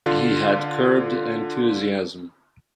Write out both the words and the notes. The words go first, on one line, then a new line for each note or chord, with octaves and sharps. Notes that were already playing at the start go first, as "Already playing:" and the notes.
He had curbed enthusiasm.
D3 F4